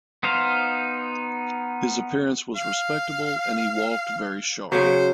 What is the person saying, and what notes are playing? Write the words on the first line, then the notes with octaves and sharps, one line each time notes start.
His appearance was respectable and he ""walked very sharp"".
B3 D#4 C5 F5
F5
C#3 F#3 C5